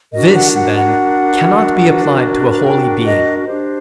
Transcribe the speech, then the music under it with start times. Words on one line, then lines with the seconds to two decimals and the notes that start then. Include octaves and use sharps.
This, then, cannot be applied to a holy being.
0.12 D4 F#4 A#4 D#5
0.32 F#5
0.54 F#5
0.75 F#5
2.63 G5
3.05 D#5
3.46 D4 G4 C5